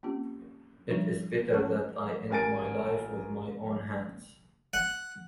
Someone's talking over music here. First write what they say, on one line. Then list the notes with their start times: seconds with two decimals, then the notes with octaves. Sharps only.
It is better that I end my life with my own hands.
0.03 A#3 C4 C#4 F4 G4
0.90 F3 G3 D4 D#4
1.54 A3 C#4 F#5 A5 C#6
2.30 A1 A#4 G#5 A6 D7
4.74 F#5